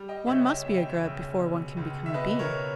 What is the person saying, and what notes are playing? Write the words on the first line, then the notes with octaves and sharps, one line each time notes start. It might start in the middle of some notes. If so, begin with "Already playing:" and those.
One must be a Grub before one can become a Bee.
Already playing: G3
D#5 G5
C#2 C#5 E5
D#5 G5
B2 E5
G5
C#5 E5
C#2
B2
C#2
E5
B2 B4 D#5
A#4 C#5